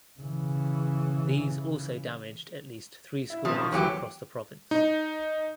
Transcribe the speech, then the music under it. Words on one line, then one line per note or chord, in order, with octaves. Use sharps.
These also damaged at least three schools across the province.
C#3 E3
E4
A1 C3 F3 B4
D#3 C#6
E2 A2 E3 F#3 G4
D#4